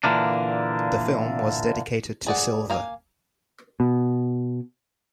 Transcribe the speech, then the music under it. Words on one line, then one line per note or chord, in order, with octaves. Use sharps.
The film was dedicated to Silva.
A#2 D3 E3 A#3 D4
G#4 D5 F#5
A#3 F5 G#5
B2